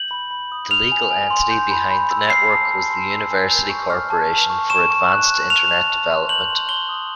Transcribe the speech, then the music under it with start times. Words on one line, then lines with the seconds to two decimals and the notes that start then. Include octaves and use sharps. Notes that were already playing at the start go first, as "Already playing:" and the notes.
The legal entity behind the network was the University Corporation for Advanced Internet Development.
Already playing: G6 F#7
0.11 B5
0.31 B5
0.52 D#6
0.71 F6 F7
0.92 G#5
1.11 G#5
1.31 C6
1.51 G6
1.71 B5
1.91 B5
2.11 E6
2.30 F6 C7
2.51 A5
2.71 A5
2.90 C6
3.10 E6
3.31 G#5
3.50 G6
3.70 C#6
3.90 F6
4.10 A5
4.30 A5
4.50 C#6
4.70 C#6 E7
4.90 C#6
5.10 F#6
5.30 F#6
5.50 F6 F7
5.70 A5
5.90 A5
6.10 C6
6.29 G6 F#7
6.49 C6
6.69 C6 G7
6.89 D#6